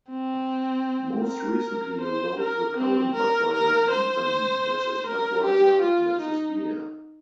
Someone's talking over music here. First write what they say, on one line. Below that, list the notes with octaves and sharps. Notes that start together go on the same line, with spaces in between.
Most recently he wrote the current Budweiser anthem, This Is Budweiser, This Is Beer.
C4
A#4
C5
A#4
C4
A#4
A#4
C5
A#4
G4
F4
D#4